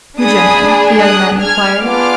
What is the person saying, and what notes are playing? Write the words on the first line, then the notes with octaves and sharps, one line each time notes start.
"Eugenio?" the young man inquired.
D4 G#4 B5 D#6
D#6 F#6
F6 G#6
B3 D4 F4 G#4 D6 F6